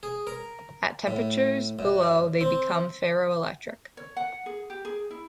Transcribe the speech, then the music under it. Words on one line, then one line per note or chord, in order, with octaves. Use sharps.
At temperatures below they become ferroelectric.
G#4
A#4
A2
F#2
C4
C#5
F#5
G#4
G4
G#4
E4